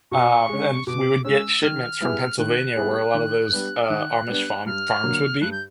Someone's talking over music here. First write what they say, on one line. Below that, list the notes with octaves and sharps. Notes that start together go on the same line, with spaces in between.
um, and we would get shipments from Pennsylvania where a lot of those, uh, Amish farm farms would be,
B2 C#6
G#3 C#4
B2 D6
G#3 C#4 E6
D#3 F6
G3 B3 E4 G#4
D#3 F#6
G3 B3 E4 G#4
D#3
G3 B3 D4
F6
D#3 F#6
G3 B3 D4
G2 F6
D3 F#3 A#3
G2 F#6
G6